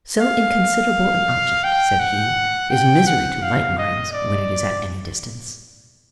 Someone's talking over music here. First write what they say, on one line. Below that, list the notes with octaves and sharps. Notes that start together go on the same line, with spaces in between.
So inconsiderable an object, said he, is misery to light minds, when it is at any distance.
F5
G5
F#5
G5
F#5
F5
D#5
D5